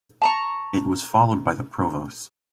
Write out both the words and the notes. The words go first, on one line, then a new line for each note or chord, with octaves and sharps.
It was followed by the Provos.
A5 A#5 C#6